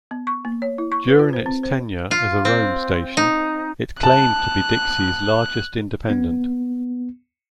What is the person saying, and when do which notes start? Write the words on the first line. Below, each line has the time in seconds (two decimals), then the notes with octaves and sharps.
During its tenure as a Rome station, it claimed to be Dixie's Largest Independent.
0.11 B3
0.27 C#6
0.45 A#3
0.62 C#5
0.78 E4
0.92 C#6
1.07 B4
1.19 F4
1.33 C5
1.46 C4
1.63 C5
2.11 F4
2.45 C4
3.17 D#4
4.03 A5 F#6
6.10 B3